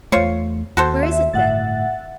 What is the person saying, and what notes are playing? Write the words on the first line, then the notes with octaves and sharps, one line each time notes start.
"Where is it, then?"
E2 A3 F4 C5 C#5
D#2 F#4 A4 C5
E5
G1 A2 E5 F#5 A6